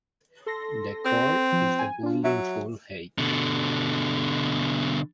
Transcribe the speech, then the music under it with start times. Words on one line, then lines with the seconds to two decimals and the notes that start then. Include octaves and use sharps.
The core is the building's full height.
0.46 A4 C6 A#6
1.05 C4
1.52 F3
1.79 G#5
2.03 D4 F4
2.24 F#3 E5
3.18 B2 D3